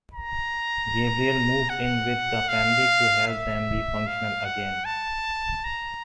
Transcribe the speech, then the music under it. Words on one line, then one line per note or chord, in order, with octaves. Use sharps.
Gabriel moves in with the family to help them be functional again.
A#5
F#5
F5
E5
F5
F#5
A5
A#5